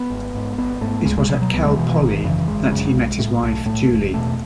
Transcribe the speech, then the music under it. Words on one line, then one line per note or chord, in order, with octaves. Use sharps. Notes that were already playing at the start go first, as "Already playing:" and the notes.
It was at Cal Poly that he met his wife, Julie.
Already playing: B3
G#1
G#2
G#1 B3
G#2 A3
C#2 G#3
G#3
B2 F#3
F#3
C#2 B3
G#3
B2 E3
E3
G#1 D#3
F#2 C#3 E3
G#1 G#3
F#2 C#3
B1
A2
B1 A3
A2 A3
E1
E2 B2 A3